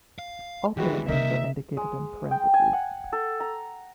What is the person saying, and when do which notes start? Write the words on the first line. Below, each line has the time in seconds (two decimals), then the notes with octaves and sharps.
Alternate names are indicated in parentheses.
0.19 F5
0.77 D#3 E3 G#3 C#4 F#4 G4
1.09 C3 E3 G3 A#3 D#4 A#4 E5
1.77 G#3
2.31 G5
2.54 G#5
2.73 F#5
3.13 A4
3.40 A#5